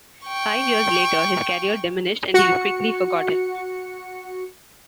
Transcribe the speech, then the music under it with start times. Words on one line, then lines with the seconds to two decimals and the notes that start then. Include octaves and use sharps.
Five years later, his career diminished and he was quickly forgotten.
0.24 G5 C#6
2.34 F#4 C#7